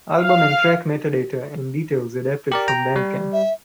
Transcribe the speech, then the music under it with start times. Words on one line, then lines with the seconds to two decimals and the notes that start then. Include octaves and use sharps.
Album and track metadata and details adapted from Bandcamp.
0.18 F5
2.52 G4 A#4 D5
2.68 G5 A#5
2.96 G3
3.33 E5